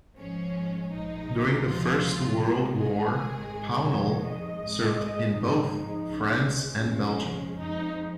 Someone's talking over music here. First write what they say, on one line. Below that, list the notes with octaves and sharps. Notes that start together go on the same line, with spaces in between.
During the First World War, Pownall served in both France and Belgium.
G#1 G#2 F3 G#3 C#4
A#1 G#2 G#3 D#4
D#2 C#3 F3 G#3 F4
G#1 G#2 D#3 G#3
G#4
G#1 G#2 D#3 G#3
F2 D#3 G#3 C#5
D#5
G#1 G#2 G#3
D#5
G#1 G#2 F3 G#3 D#4
D#4
C#2 C#3 G#3
C#4
F2 C#3 F3 G#3
F2 F3 G#3 D#4